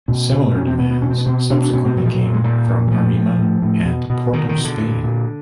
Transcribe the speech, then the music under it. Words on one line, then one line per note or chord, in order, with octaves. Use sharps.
Similar demands subsequently came from Arima and Port of Spain.
B2 C#4
B2
B2 C#4
C4
B2 B3
B3
B2 C#4
C4
B3
B2 C4
B2 D4
D4
B2 C#4
C4
A#2 F#3
F3
F#3
A#2
G#3
A#2 G3
A#2
E3
A2 F3
A2
A2
A2
B2
B2
B2 D#3
D#3
B2
D3
A#2
A#2